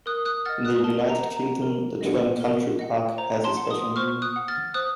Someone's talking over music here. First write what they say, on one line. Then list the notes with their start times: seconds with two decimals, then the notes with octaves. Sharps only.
In the United Kingdom the term 'country park' has a special meaning.
0.06 A#4 D#6 F#6
0.25 D#6 F#6
0.45 D#5 F#5 F6 A6
0.65 D#6 F#6
0.84 A#4 A5
1.10 A#5
1.23 D#5 F#5
1.36 A#5
1.62 A#4
2.01 D#5
2.06 F#5
2.40 A#4
2.79 D#5 F#5
3.18 C5 A#5
3.44 A5 C6
3.57 F#5
3.70 C6 D#6
3.96 C5 C#6 F6
4.22 D#6 F#6
4.36 F#5
4.48 F6 A6
4.74 C5 D#6 F#6